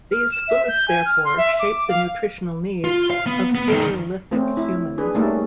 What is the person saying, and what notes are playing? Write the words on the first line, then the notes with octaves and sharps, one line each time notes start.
These foods therefore shaped the nutritional needs of Paleolithic humans.
F6
E7
E5
G6
G#5
F6
C6
E5
D6
F5
F4
F5
B3
B3
G2 D#3
A3 C4 C#4
E4
D4 G#4 B4
G3 A3 A#3 C#4 D#4 A4